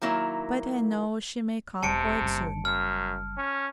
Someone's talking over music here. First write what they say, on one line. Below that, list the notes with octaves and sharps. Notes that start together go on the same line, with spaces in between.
But I know she may come quite soon.
D#3 F#3 A#3 E4
E1 C3 A5 C#7 D7
F#1 G3
F#2 F6
C#4